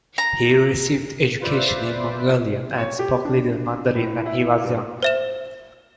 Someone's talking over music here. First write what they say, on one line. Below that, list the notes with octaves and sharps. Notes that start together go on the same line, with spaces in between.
He received education in Mongolian and spoke little Mandarin when he was young.
A#5
F4 B4 C5 D5 E5
C#5
G4
D4
A2
E4
G2
C5 E5 E7